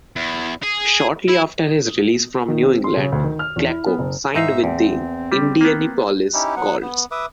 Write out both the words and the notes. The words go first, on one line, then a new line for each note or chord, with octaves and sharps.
Shortly after his release from New England, Klecko signed with the Indianapolis Colts.
E2
G#4
E4
D#3
C4
C6
C#3
D2
D#3
F6
E2
E4
B3
F#1
G#2 D#4 E5 F5
E2 C4
G3
A#3 B3
C#4 D#4 E4 G4
F#3 B3 F#5
B3
B4 E5 D6 D#6